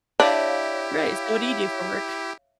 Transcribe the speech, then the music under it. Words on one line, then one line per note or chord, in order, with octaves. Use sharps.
Right, so what do you do for work?
D4 E4 G4 C#5 E5 F5